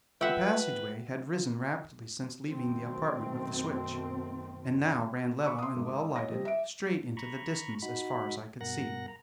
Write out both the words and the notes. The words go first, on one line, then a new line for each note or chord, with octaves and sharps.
The passageway had risen rapidly since leaving the apartment of the switch, and now ran level and well lighted straight into the distance as far as I could see.
F4 A4 B4 E5 F#5 G5
F#2 B2 D#3 A3 C4
B5 C#6 D6 E6
C6 D#6
G#1
C#5 D#5 A#6
F3 G3 C5
E5 D7
A#5 B5 C#6
D#4 F#4 B5
G2 B2 A#4 F#5 F#6 A#6
A#5